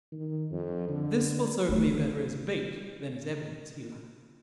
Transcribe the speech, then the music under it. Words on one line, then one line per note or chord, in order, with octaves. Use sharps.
"This will serve me better as bait than as evidence," he laughed.
D#3
F2
D3
A3 D#4